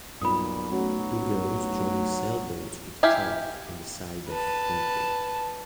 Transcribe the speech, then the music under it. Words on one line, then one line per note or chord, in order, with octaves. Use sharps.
Two girls drawing sailboats with chalk on the side of concrete.
B1 G2 A#2 F4 B5 D#6
F#3 A3 C#4 F#4
E4 G4 E5 F5 G#5
B4 A5